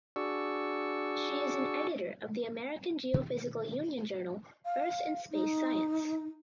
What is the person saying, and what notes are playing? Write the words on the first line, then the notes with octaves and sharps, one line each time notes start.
She is an Editor of the American Geophysical Union journal "Earth and Space Science".
D4 F#4 G#4 D5 C#6 E6
B2 D#3 E3 G#3
F5
D#4